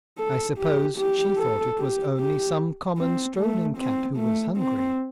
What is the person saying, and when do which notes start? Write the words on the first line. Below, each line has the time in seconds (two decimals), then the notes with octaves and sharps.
I suppose she thought it was only some common strolling cat who was hungry.
0.18 A4
0.58 G4
0.98 G4
1.38 A4
1.78 G4
2.18 G4
2.98 C4
3.38 A3
3.78 C4
4.17 A3
4.57 C4